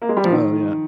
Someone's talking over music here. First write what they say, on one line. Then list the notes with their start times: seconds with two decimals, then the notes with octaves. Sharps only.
Oh, yeah.
0.02 A#3
0.09 G#3
0.17 G3
0.24 F3
0.32 D#3